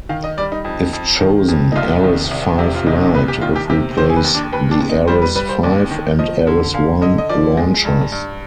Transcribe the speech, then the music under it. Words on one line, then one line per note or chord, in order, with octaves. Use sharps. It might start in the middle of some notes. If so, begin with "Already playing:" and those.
If chosen, Ares Five Lite would replace the Ares Five and Ares One launchers.
D#3 F5
D#5
G3 D5
D#4
F2 D#4
F2
D#3
F2
D#4
C2 F4
D#3
C2
C3
F4
C2 D#4
D#4
C2 B4
G4
D#3 F4
G4
C3 G4
D#3 C5
G#4
B4
D#2
D4
D#2 B4
D4
D#2
D#4
G3 C5
B4
G3 B4
C5
D#2 D5
D#3
F3 D#5
D3
D3 F5
D3 D#5
D#5
F3 D5
G#3
G2
G2